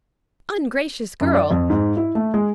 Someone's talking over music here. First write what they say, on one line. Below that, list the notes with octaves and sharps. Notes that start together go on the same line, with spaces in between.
Ungracious girl!
F#2
D5
F2
G#2
E4
A3
G#3